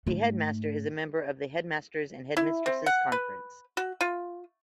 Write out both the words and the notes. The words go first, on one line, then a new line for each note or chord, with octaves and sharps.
The Head Master is a member of the Headmasters' and Headmistresses' Conference.
G#2 A3
E4
C4
F#5
B4
F#4
F4